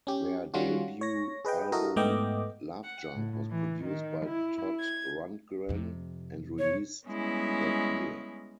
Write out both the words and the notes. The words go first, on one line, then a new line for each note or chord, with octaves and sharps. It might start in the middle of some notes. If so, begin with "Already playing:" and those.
Their debut album, "Love Junk", was produced by Todd Rundgren and released that year.
C#4 G4
D#3 G3 C#4 F4 F#4
C#5 A#6
G#4 B4 D#5 G5
E4 F#4 A4 A#4 D#5
G#2 A3 B3 D#5 G5 D6
F#5
A2
E3
D#3
E4
G#6
F2 C3
C#5
G3 G#3 B3 C#4 E4